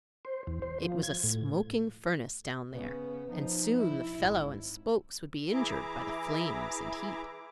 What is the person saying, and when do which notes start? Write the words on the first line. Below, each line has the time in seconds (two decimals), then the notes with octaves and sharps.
It was a smoking furnace down there, and soon the felloe and spokes would be injured by the flames and heat.
0.25 C5
0.47 E2
0.62 C5
0.85 F3
1.03 G#6
1.24 A2
2.73 C#3 B3
3.30 F3 D#4
3.79 E4
4.19 G#1
5.52 E3 E4 G#4 E5 A#5 D6